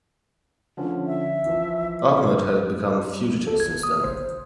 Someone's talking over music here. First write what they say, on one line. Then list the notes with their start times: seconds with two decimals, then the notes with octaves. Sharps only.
Ahmed had become fugitive since then.
0.77 D3 F3 C#4
1.07 E5
1.45 E3 F3
3.47 A4
3.60 G#6
3.83 D#6
4.03 C5